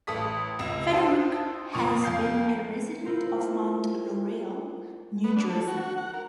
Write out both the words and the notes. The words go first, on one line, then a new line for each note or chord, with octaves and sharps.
Fedoruk has been a resident of Mount Laurel, New Jersey.
A1 A4 D#6 B6
F1 C#2 E7
C5 D#5 G5 A5 E6
F2 A#2 C#6 D#6
F2 F5 G6 C7
E4 F4 A#4 C5
B3
D4
A4
F#4
F#4
F#5
A#4